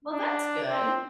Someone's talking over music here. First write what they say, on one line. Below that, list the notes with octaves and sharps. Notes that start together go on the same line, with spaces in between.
Well, that's good.
D4
C4